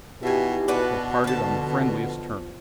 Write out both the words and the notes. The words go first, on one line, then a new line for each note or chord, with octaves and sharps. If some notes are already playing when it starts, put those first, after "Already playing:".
They parted on the friendliest terms.
B2 D#4 E4 G4 E5 G#5
B2 D4 F#4 B4
D3 F3 A5